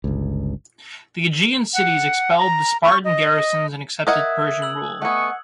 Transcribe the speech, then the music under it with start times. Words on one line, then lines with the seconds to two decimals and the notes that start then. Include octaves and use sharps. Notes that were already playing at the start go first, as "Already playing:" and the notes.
The Aegean cities expelled the Spartan garrisons and accepted Persian rule.
0.04 G1 C#2
1.74 F#5
2.39 A#5
2.84 C#6
3.04 D#5
4.07 A#4 D#5 E5 F#5 D#6 F#6 G#6
4.62 E6 F#7
5.02 A3 B3 D#5 F#5 G#5 C#6